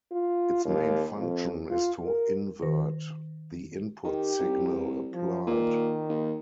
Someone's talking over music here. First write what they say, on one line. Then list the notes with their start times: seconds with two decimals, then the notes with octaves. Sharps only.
Its main function is to invert the input signal applied.
0.12 F4
0.65 D#2
1.17 F2
1.71 F4
2.05 A#4
2.63 D#3
4.04 D#3 G4
4.39 C2
5.13 F3
5.47 A#2 D#3
6.09 D#2